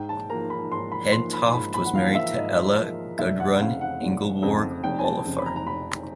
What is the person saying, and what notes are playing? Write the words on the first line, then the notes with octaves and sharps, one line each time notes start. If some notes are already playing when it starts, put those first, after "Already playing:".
Hedtoft was married to Ella Gudrun Ingeborg Holleufer.
Already playing: G#2 G5
A5
F3 A#3 A#5
B5
G#2 C6
B5
F3 A#3 C6
B5
G#2 B5
B5
F#5
F3 A#3 F5
E5
G#2 D#5
F3 A#3
F1 E5
F#5
F2 C#3 F5
F#5
F1
F2 C#3
F1 G5
G#5
A5
F2 C#3
B5
A#5
A#5
F1 B5